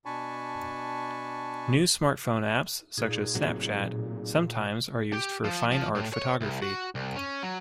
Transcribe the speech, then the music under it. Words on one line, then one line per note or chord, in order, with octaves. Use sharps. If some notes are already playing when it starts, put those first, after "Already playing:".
New smartphone apps such as Snapchat sometimes are used for fine-art photography.
B2 D4 G#5 A5 B5 C#6
A#2 D#4 G#4
A2 C3 F#3
G4
F3
F3
A2
C#5
C2
F#4
C2
C#4
F#3